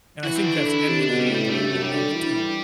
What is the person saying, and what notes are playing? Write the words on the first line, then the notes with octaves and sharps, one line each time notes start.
And I think that's emulated in the way we live, too.
E3 F#4
C4
D4
D3
E4
C3 D4
D4
B2
G3
A2
G3
G2 A3
F#2
G3
D3
E3
E3